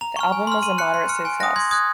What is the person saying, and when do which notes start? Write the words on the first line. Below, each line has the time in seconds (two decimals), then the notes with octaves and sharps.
The album was a moderate success.
0.01 A#5 F7
0.16 C#6 F6
0.32 G#5
0.47 C6 F6
0.63 C6 D#7
0.78 F#6 C#7
0.94 C6
1.09 F6 C#7
1.25 G#5
1.40 D#6 F#6 A#6
1.56 C6 G#6
1.71 D#6 F#6 G#6